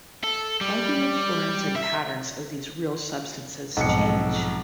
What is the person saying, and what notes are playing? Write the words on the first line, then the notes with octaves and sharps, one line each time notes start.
Why do the forms and patterns of these real substances change?
A4
G3
E5
B1 F2 G#2 F3 C#7